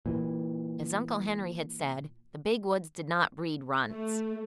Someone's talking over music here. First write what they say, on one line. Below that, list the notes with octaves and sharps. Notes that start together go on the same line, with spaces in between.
As Uncle Henry had said, the Big Woods did not breed runts.
A#2 E3
A3